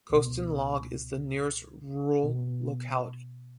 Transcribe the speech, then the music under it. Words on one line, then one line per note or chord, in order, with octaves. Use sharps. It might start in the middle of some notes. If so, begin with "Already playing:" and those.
Kostin Log is the nearest rural locality.
C#2 B2 B3
B2 B3